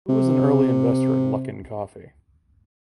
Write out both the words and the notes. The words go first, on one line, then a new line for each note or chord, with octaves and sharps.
Lu was an early investor in Luckin Coffee.
C3